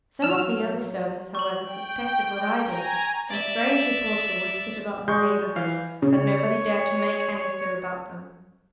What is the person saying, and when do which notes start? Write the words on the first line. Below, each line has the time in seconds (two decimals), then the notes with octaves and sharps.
Some of the other servants, however, suspected what I did, and strange reports were whispered about the neighbourhood, but nobody dared to make any stir about them.
0.22 F#3 E6 F6
1.35 C#6 F#7
1.64 G5
2.65 G#5 A#5
3.28 D5 E5
5.08 G#3 C#6 G6
5.56 E3 F5
6.02 C#3 C#5